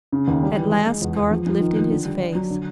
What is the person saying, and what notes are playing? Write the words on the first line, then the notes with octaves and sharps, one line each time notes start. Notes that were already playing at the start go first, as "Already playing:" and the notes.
At last Garth lifted his face.
C#3
D#2
G3
E3
G#3
G#3
E2
E2
F3
F3
D#3
D#3
D3
G3
D4
F#3
D3